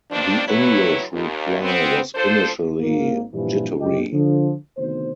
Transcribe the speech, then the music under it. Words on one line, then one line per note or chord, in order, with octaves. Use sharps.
The English reply was initially jittery.
G2 D#3 F3 C4 D4
E2 G2 F#3 E4 B4 C#5
D#2
B3 C4
F3 D4 A4 C5
G#1 A#3
G2 A#2 E3 F3
G1 F#2 G4 D#5
D3 F3
D2 C3 D#3 B3 C5